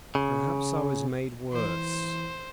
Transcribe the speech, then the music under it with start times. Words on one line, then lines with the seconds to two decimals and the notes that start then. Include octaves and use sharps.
Perhaps I was made worse.
0.15 C#3
1.52 E3 C5